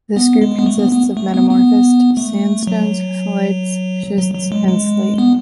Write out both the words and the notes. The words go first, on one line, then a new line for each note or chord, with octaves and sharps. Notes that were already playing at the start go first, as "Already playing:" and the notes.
This group consists of metamorphosed sandstones, phyllites, schists, and slate.
B3
G#3
B3
A3
B3
B3
A3
B3
B3
A3
F#3
F#3
F#3
G#3
G#3
B3